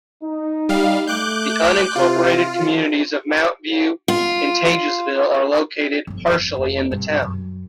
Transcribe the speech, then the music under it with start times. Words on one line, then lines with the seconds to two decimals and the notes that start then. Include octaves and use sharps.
The unincorporated communities of Mount View and Taegesville are located partially in the town.
0.24 D#4
0.69 G3 F5
1.07 A3 D6 F#6 G6
1.96 C3 C4 F4
4.08 F4
6.07 G1 F2
6.57 F1
6.92 G2 C3
7.22 F#2